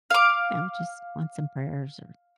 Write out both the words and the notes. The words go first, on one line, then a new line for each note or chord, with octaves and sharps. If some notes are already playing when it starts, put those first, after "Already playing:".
you know, just want some prayers or
F5 D6